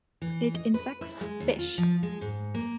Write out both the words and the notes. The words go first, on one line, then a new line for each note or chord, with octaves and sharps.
It infects fish.
E3
D#5
B4
E4
G#3
D#2
F4
F3
G#3
G#2
A#3